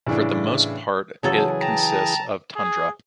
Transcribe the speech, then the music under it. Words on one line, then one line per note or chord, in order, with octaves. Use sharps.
For the most part it consists of tundra.
A2 C#3 E3 D4
C#3 E3 F#3 G#4 A4 A5
G5 A5 A#5
G#4